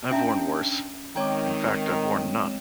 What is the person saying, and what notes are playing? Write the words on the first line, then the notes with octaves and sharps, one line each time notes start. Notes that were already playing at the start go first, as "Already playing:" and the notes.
I've worn worse — in fact, I've worn none.
C#4 D4 E5 G5 A#5
D#3 G#3 C4 C#5 G5 A#5 D6